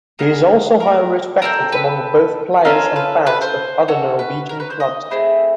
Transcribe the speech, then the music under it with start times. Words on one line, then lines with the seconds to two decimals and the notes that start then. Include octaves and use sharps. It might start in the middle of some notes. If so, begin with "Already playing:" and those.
He is also highly respected among both players and fans of other Norwegian clubs.
0.19 B3 E4 G#4 A#4
0.80 A#4
1.42 C4 F4 A4 A#4
1.72 B4
2.65 C#4 F4 A4 A#4
2.96 B4
3.27 B4
3.41 C5
3.88 C#4 F#4 A4
4.19 B4
4.49 A#4
4.60 B4
4.70 C5
4.80 D#5
5.11 A3 C4 E4 G#4